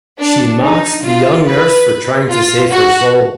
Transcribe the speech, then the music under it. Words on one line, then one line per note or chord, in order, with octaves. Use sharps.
She mocks the young nurse for trying to save her soul.
D4
D#4
F4
B4
F4
F#4